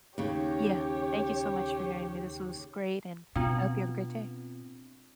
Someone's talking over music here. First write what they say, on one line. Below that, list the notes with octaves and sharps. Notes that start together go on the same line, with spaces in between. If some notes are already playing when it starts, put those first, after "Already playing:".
Yeah. Thank you so much for hearing me. This was great, and I hope you have a great day.
D#2 C#3 G4 C#5
B2 C4 D4 F4